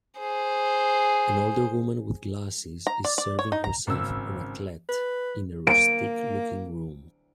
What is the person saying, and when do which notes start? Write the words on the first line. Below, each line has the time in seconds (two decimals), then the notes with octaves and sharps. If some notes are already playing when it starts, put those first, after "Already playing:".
An older woman with glasses is serving herself Raclette in a rustic looking room.
0.19 G#4 C5
2.87 A#5
3.05 D5
3.18 D5
3.39 C#5
3.52 D#4
3.64 A#5
3.87 G#1 C#3 E6
4.89 B4
5.67 A#3 D7